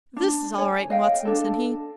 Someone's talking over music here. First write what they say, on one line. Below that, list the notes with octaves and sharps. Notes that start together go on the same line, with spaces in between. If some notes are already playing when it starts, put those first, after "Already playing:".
"This is all right, Watson," said he.
D4
C#5 G#5
D#5 F5 G5
D4 A4